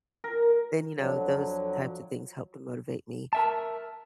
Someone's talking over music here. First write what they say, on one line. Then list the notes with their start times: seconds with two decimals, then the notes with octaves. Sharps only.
then, you know, those types of things help to motivate me.
0.24 A#4
0.98 F2 D3 F#3
3.33 A#4 E5 A5